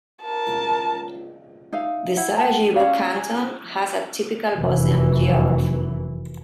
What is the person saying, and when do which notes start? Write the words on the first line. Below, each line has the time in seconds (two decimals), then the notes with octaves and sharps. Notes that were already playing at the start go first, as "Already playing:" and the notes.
The Sarajevo Canton has a typical Bosnian geography.
0.23 A#4 A5
1.73 D#4 E5 F5
2.17 E4 F#5
2.36 F#5 G5 A5 A#5
2.76 C#4 F5
3.16 G#4
4.55 F1 F#2 E3